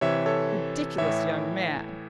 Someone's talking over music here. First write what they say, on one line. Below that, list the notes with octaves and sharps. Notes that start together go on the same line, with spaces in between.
Ridiculous young man!
C3 E3 C#5 E5
A4 C#5
A2 E3 C#5 E5